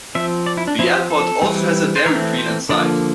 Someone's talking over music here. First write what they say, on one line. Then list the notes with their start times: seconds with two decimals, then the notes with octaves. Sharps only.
The airport also has a Dairy Queen inside.
0.15 F3 C4 E5
0.46 D5
0.57 E4
0.67 D4
0.79 F3 C4 E4
0.87 F4
0.95 G4
1.10 A4
1.42 E3 G3 C4
1.96 C5
2.06 E3 A3 C4 A#4
2.39 C5
2.69 D3 F3 A#3 D5